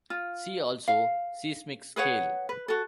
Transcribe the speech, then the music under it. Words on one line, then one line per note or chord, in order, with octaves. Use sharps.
See also seismic scale.
F4
F5
G#4 B4 C#5 F#5
B4
F#4 A4